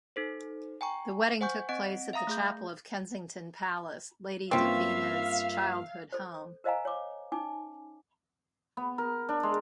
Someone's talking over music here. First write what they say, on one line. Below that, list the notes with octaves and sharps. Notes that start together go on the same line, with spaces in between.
The wedding took place at the chapel of Kensington Palace, Lady Davina's childhood home.
D#4 A4 C5
G5 G#5 A#5 C#6
C5 F#5 G#5 C#6 G6
C4 D#5 F#5 D7
E5 F5 A#5 D#6 A#6
A3 G#4 G6
G2 A#3 C4 C#4 F4 E5 F5
A4 C5
A#4 C5 D#5 F5 G#5 A#5
C#5 D6
C#4 D#4 G#5 D6
B3
A#4
D4
G#3